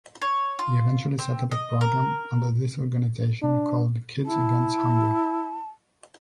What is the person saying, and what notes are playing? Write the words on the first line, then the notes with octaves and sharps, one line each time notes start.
He eventually set up a program under this organization called "Kids Against Hunger".
C#5
F4
C4
D#5
A#4
D4
E4 A5